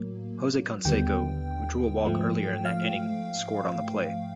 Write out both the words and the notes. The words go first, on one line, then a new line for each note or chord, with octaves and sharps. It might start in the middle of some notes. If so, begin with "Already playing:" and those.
Jose Canseco, who drew a walk earlier that inning, scored on the play.
Already playing: A2 F#3 A#3
D#2 D3 G3 B3 G5
G#2 F3 A3
F5